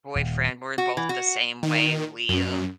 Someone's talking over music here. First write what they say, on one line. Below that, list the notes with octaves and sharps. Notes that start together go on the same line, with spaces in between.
boyfriend. We're both the same way, we'll
D#1
F#4
E3
F#4
D#3
F#2